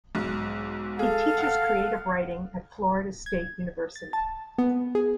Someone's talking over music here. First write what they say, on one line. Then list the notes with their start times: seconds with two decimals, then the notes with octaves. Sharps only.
He teaches creative writing at Florida State University.
0.15 B1 G#2
0.99 G#4 A4 F5
1.38 F#5 F6
3.26 G#6
3.96 A6
4.13 A5
4.58 B3
4.95 G#4